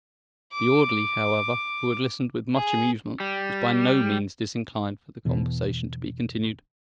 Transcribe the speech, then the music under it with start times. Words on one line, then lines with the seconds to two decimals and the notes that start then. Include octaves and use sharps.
The orderly, however, who had listened with much amusement, was by no means disinclined for the conversation to be continued.
0.53 D6
2.54 G#4
3.20 G3
5.25 E2 B2